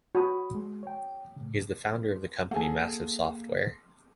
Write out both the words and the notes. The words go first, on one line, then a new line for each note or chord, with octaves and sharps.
He is the founder of the company Massive Software.
F#4 C#5 B5 D#6
G#3
C#5 G5
A2 C#3
A#3 G#4 A4 F#5 G#5